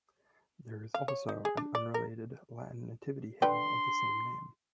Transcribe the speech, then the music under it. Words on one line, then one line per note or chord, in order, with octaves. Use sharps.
There is also an unrelated Latin Nativity hymn of the same name.
F5
C#5
D#4
G#4
D4
D5
A#4
D3 B4 G5 C6